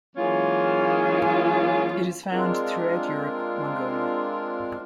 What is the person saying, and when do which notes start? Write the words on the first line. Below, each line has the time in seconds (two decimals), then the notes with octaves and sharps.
It is found throughout Europe, Mongolia.
0.16 E3 F#3 G#3 A#3 C#4 F4
2.31 G#3 C4 D4 F4 A#4